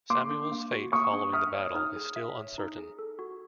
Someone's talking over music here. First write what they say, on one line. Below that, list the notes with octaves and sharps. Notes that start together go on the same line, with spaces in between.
Samuel's fate following the battle is still uncertain.
A#3 C6 D6
D4
A#3
F#4
A#3 C#6 D#6
D4
E5 D#6 F6
C#5
D#4 D#6 F6
G#4
E5
C#5
D#4
G#4
A4
F#4